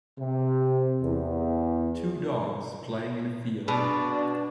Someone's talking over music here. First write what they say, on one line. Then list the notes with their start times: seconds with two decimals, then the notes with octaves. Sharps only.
Two dogs playing in a field.
0.17 C3
1.02 E2
3.68 B2 D4